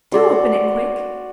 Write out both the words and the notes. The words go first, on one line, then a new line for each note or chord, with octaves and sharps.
Do open it quick.
F#4 D5 C6